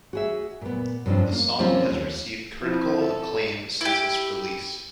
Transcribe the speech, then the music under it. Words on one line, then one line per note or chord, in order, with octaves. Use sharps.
The song has received critical acclaim since its release.
F#4 G#4 E5
A#2 B3
G2 C3 F3 C#4 D4
A#3
F3 G3 A#3 C4 C#4 F4
D#2
F3 C4 E4
A4
E4 G4